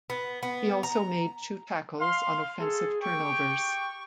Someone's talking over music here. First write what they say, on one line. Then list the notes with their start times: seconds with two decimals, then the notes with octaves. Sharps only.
He also made two tackles on offensive turnovers.
0.10 B3
0.43 B3
0.83 A#5
2.00 F5 C6
2.60 G#4 A4
3.01 G4 G5 C#6